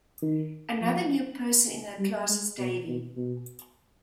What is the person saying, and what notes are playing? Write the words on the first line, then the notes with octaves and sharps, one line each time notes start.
Another new person in her class is Davy.
D#3
F3
G3
G#3
B2
B2
B2